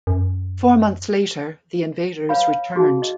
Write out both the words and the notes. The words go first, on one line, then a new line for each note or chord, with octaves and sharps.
Four months later the invaders returned.
F#2
B4 C#5 F5 B5
D#4 F#4 G#4
D#5